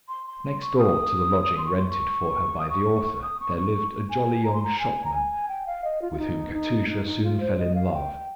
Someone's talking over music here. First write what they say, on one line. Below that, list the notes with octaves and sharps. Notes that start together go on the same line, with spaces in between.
Next door to the lodging rented for her by the author there lived a jolly young shopman, with whom Katusha soon fell in love.
C6
C6
C#6
D#6
C6
C#6
C6
C#6
D#6
C#6
C#6
D#6
C#6
C#6
G#5
A#5
C6
A#5
G#5
A#5
G#5
G5
F5
D#5
F4
F4
D#4
D#4
D#4
D#4
F4
C5
D#5
F5
G5